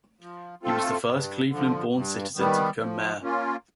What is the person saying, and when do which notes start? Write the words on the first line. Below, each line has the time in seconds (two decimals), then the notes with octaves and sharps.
He was the first Cleveland-born citizen to become mayor.
0.21 F3
0.63 A3 C4 F4 A4
1.07 G2
1.49 D3 F3
1.93 G2
2.35 D#3 G3 B3
2.79 F3
3.22 A#3 C#4 F4